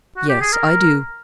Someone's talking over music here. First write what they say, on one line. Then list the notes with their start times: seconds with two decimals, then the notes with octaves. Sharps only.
"Yes, I do."
0.17 F#4
0.29 G4
0.41 G#4
0.52 A#4